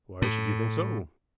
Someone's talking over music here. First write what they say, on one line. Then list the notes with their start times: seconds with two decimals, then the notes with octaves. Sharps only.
"Why should you think so?"
0.22 A2